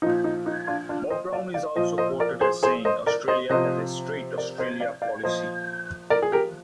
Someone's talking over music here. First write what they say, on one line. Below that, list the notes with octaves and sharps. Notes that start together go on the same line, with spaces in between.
Bob Brown is also quoted as saying Australia has a "straight Australia policy".
A#2 F3 D#4
D#4
D#4
D4 F4
D4 F4
C5 D#5
D5 F5
D5 F5
A#2 F3 C5 D#5
C5 D#5
A#4 D5
G#4 C5
G#4 C5
C5 D#5
A#4 D5
C5 D#5
C3 F3 C5 D#5
A#4 D5
C5 D#5
D5 F5
D5 F5
A#2 F3 C5 D#5
A#4 D5
G#4
G4 A#4